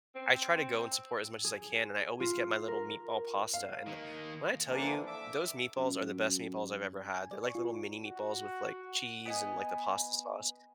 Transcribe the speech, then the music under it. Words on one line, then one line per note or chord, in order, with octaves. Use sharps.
I try to go and support as much as I can, and I always get my little meatball pasta. And, uh, when I tell you, those meatballs are the best meatballs I've ever had. They're like little mini meatballs with, like, cheese and, like, the pasta sauce.
C4
G#4
F4
A#4
F5
D#3 A#3
D3 E3 F3 A#3 D4
E5 D6
F#2
G#5
D5
C#6
F4
F#4
B3 D#5 G#5